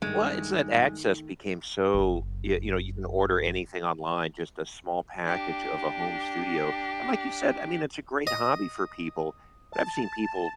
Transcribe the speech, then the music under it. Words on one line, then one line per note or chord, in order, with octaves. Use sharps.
Well, it's that access became so, you you know, you can order anything online, just a small package of a home studio, and, like, you said, I mean, it's a great hobby for people, but I've seen people,
G2 D#3 G#3 A3
F#1 F#2
D4 G4
D#5
A5